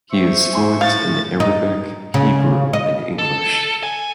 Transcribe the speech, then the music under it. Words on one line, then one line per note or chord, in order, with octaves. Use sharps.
He is fluent in Arabic, Hebrew, and English.
C5 E5 C#6
G#5 C6
A2 F5 A6
D#4
C#3
D#5
A4
G#5